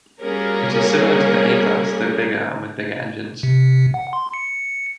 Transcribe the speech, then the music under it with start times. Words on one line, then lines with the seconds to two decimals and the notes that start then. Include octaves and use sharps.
It is similar to the A-Class, though bigger and with bigger engines.
0.20 G3 A#3 C#4 F#4 G#4 A#4
3.43 C3
3.94 F#5
4.13 C6
4.34 C#7